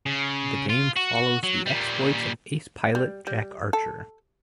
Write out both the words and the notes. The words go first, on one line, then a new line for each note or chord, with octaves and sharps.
The game follows the exploits of ace pilot Jack Archer.
C#3
F4
F#4
F#3
A#2 G3
G3
G3
A4